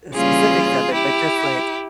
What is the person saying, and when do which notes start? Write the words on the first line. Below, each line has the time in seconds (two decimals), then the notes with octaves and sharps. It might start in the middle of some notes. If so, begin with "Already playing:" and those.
uh, specifics of it, but just like
0.14 C#3 E3 G3 A#3 C#4 F4 G#4
0.93 E4 G4